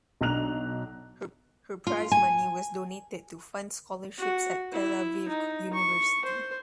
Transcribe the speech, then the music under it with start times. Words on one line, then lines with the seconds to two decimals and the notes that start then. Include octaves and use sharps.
Her prize money was donated to fund scholarships at Tel Aviv University.
0.21 B1 D4 A#5 F#6 F7
1.87 F4
2.12 G#5
4.19 F#4
4.72 E4
5.28 D#4
5.74 C#6
6.25 C5